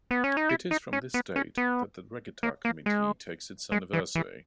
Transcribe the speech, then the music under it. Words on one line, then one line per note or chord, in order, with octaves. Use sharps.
It is from this date that the Regatta Committee takes its anniversary.
B3
C#4
D#4
E4
D#4
C#4
B3
C#4
B3
A#3
A#3
G#3
G#3
E3
E3